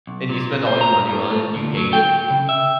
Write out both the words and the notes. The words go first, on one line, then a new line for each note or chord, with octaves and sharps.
And you spend all your money on it. You hate it.
B1
A#2
C5
A#5
A2
A3
D2
F#3
G5
C#3
E5